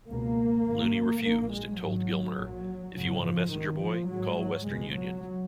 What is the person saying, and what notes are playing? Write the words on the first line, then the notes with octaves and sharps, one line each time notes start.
Looney refused and told Gilmer, If you want a messenger boy, call Western Union.
C#2 B2 A#3
G#1 G#2
A#1 A#2 A#3
G#3
G#1 G#2 F#3
A#1 A#2
G#1 F#2 C#3 F#3
F3
G#1 G#2 D#3
F3
G#1 G#2 F#3
F#3
C#2 B2 G#3
F#3